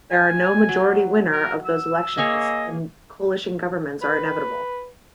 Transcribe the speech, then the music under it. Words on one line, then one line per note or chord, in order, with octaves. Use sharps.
There are no majority winner of those elections and coalition governments are inevitable.
G#5
F#3
A#4
E6
A#3 G#4 C#5 D#5
B4